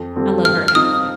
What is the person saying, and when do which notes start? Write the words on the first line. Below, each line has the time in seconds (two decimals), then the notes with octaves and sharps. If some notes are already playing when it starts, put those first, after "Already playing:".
I love her accent.
Already playing: F2
0.16 D3 G3 C4 F4
0.45 G2 F6
0.68 F6
0.75 F3 C4 D#4 D#6